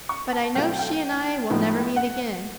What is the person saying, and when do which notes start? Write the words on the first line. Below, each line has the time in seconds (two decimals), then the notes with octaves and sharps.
But I know she and I will never meet again.
0.09 C#6
0.33 A5
0.55 B2 F#3 A3 C4 F4 G5
0.79 G5
1.50 A2 F3 G#3 B3 D#4
1.96 F#5